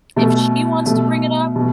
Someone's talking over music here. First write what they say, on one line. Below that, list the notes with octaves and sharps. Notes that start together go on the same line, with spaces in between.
If she wants to bring it up,
B2 A3
B2 A3
B2